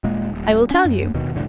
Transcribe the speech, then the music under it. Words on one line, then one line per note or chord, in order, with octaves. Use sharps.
I will tell you.
D#1 A#2 G#3 A#3
D#1
C#4 D4
F#2
D1 D#2 B2 D#3
F1 C2 A2 D3